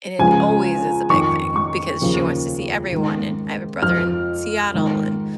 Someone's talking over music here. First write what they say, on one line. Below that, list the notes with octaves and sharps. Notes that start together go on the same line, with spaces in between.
and it always is a big thing, because she wants to see everyone, and I have a brother in Seattle and,
C#2 C#3 F3 G#5
F2 D#3 C#6
C#6
D#2 C#3 F3
G#2 D#3
F2 F3 F6
G#2 D#3